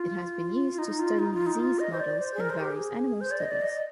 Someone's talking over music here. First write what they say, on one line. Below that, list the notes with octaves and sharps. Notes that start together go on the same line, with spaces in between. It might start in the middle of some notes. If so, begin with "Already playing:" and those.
It has been used to study disease models in various animal studies.
Already playing: F4
F4
D#4
F4
D#4
F4
D#4
F4
D#5
C5
D5
C5
G#4
A#4
C5
G4
G#4
C5
D5
D#5
D5
D#5